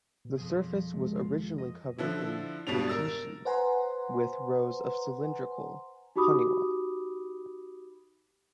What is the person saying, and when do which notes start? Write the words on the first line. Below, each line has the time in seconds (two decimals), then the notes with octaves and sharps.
The surface was originally covered in "fukiishi" with rows of cylindrical "haniwa".
0.25 B2
0.38 F2 F3 G#4
0.94 C3 G#3
1.16 F4
1.58 D#5
1.99 D3 F3 E4
2.67 G#1 B2 G3 D4 F7
2.88 A#4 E6 A6
3.45 B4 C5 F#5 G#5 A#5 C6
6.16 D#4 F#4 G4 B5 D6 D#6